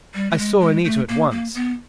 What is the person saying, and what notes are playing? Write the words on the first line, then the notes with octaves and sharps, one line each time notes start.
I saw Anita at once.
G3
A3
G#3
G#3
A3
A#3
A#3
B3